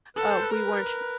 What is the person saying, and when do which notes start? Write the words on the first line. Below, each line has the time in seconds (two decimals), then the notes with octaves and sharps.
uh, we weren't
0.16 A4 B4
0.29 C5
0.41 B4
0.54 A#4 B4